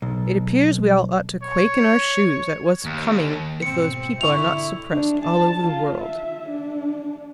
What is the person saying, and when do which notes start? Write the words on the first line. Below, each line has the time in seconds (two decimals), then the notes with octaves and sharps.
It appears we all ought to quake in our shoes at what's coming if those people are not suppressed all over the world.
0.02 B1
1.43 C#5
2.85 D#2
3.62 G#2 B2 C4 C#7
4.21 D3 E4 E5 C#6 F7
4.92 D4
5.24 A5
5.67 F4
6.00 E5
6.49 D4